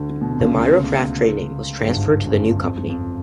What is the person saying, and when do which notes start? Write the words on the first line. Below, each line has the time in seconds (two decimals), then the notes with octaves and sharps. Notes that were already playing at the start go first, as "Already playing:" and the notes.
The MirroCraft tradename was transferred to the new company.
Already playing: D2 D3
0.21 B2
0.31 C3
0.40 C#2 C#3
1.80 G#2
1.88 G1 G2
2.25 F#2
2.62 F2
2.89 F2